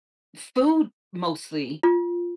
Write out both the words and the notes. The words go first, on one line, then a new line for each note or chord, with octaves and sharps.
food mostly.
F4